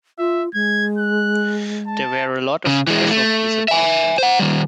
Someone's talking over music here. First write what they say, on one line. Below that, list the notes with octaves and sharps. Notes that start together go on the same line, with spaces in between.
There were a lot of casualties about then.
F4 E5
G#3 G#6
F#6
A5
C#3
E3 G#3
A3
E5 G#5
C5 F#5
D#3 G3